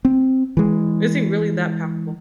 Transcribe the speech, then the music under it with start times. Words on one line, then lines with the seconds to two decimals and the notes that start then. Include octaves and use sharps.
Is he really that powerful?
0.05 C4
0.57 E3 G#3